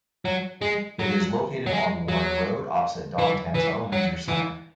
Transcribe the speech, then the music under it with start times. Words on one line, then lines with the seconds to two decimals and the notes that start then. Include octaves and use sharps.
It is located on Warren Road opposite Don Tantell Leisure Centre.
0.25 F#3
0.62 G#3
0.99 F#3
1.67 F#3
1.72 G#3
2.08 F#3
3.19 E3
3.55 E3
3.92 F#3
4.28 E3